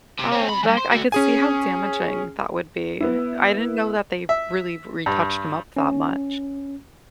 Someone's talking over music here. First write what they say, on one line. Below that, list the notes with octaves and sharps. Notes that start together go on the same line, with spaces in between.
Oh, that, I could see how damaging that would be. I didn't know that they really retouched 'em up that much.
C3
C4 C#4
C3 B5
G2 E3
C5
A3 F#4
C#4 G#4 G#5
B3 E4
E5
G2
C#4